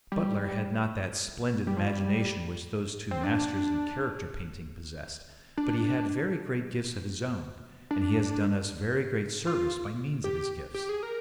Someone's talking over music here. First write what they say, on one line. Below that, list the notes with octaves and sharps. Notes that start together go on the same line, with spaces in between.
Butler had not that splendid imagination which those two masters in character-painting possessed, but he had very great gifts of his own, and he has done us very great service by means of his gifts.
G3
G3
F3
G3
C4
D4
D4
D4
F4
G4
G4
G#4
A#4